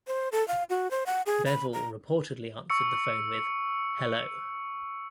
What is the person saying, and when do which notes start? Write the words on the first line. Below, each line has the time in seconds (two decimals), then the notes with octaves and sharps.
Bevill reportedly answered the phone with "Hello".
0.07 C5
0.32 A4
0.48 F5
0.70 F#4
0.91 C5
1.06 F#5
1.26 G#4
1.46 B5
1.73 A#5
2.70 C#6 E6 C#7